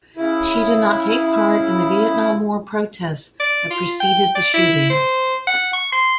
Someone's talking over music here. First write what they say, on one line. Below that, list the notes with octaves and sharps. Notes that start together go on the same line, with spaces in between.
She did not take part in the Vietnam War protests that preceded the shootings.
C#3 E4
D5
F4
G5
D5
E4
C5
F#5
C#6
C6